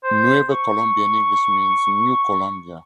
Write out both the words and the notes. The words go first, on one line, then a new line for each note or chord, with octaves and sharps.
Nueva Colombia, in English, means "New Colombia".
C5
C#6